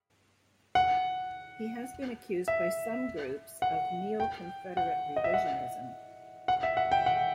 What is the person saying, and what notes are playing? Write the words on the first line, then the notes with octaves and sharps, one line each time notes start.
He has been accused by some groups of "Neo-confederate revisionism".
F#5
E5
F#5
G5
F#5
D#5
E5
F#5
F#5
E5
F#5
G5
F#5